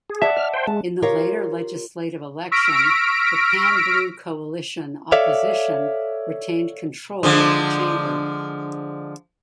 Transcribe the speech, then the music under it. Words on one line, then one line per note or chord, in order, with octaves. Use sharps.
In the later legislative election, the Pan-Blue Coalition opposition retained control of the chamber.
G#4
D5 E5 F#5 A5
D#5 F6
C5 G5
G#3 A5
F4 G4 A#4 C#5 F5
C#6 E6 F6 A#6 B6 D7
A4 C#5 D5 E5 F5
D3 F3 G#3